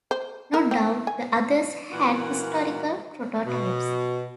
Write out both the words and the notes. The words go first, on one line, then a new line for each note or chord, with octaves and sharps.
No doubt the others had historical prototypes.
C5
A#4
C4
G#5
A#2 E3 A#3 F4 F#4 F#5
B2